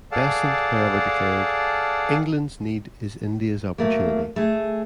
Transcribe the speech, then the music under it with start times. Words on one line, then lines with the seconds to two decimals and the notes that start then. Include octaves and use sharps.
Besant however declared, "England's need is India's opportunity".
0.12 G#4 A4 D5 F5 F#5 A5
3.78 F#3 A3 A#3
4.36 A3 G#4